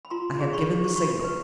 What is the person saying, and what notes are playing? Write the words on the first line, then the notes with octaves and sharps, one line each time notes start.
"I have given the signal."
B5
F4 A#5 C6
G#4
B5 C#6
F4
F#4 B5 C#6
B4